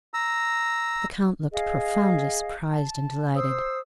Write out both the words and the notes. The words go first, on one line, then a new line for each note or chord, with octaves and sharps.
The Count looked profoundly surprised and delighted.
A#5 E6
G#4 D#5 F5
A5
C5 D#6 E6